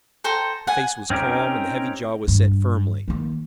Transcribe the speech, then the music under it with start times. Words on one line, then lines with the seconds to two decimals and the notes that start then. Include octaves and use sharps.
The face was calm and the heavy jaw was set firmly.
0.24 A4 C5 G5 A#5
0.67 F#5 G#5
1.10 C4 C#4 D#4 G4 A#4
2.28 G2
3.08 D#3 A#3